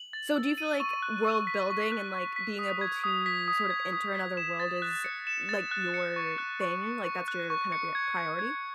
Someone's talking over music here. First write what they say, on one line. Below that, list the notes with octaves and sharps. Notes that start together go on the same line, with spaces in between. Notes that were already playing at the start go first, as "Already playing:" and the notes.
So do you feel like world building, and, like, being able to sort of enter another world is, like, your thing, like, that's your kinda prio priority?
Already playing: F#7
A6
E6
D#7
C#6
F#6
C#6
B6
C#6
F#6
C#6
B6
D#6
G#6
D#6
B6
D#6
G#6
D#6
B6
E7
A6
F#6
C#7
E7
A6
F#6
C#7
C#6
F#6
C#6
C#7
C#6
F#6
C#6
C#7
G#6
C#7
G#6